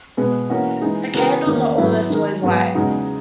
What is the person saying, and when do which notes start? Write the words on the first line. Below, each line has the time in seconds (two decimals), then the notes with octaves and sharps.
The candles are almost always white.
0.17 B2 G#3 B3
0.50 E3 A#3 C#4 F#4
0.82 E3 G#3 D#4
1.14 C#3 E3 B3 F#4 A#4
1.46 E2 D#3 A#3 C#4
1.78 G#2 F#3 B3 E4
2.10 D#3 G#3 D#4 A#4
2.43 G#2 F#3 B3 F#4
2.75 E2 C#3 G#3 D#4 F#4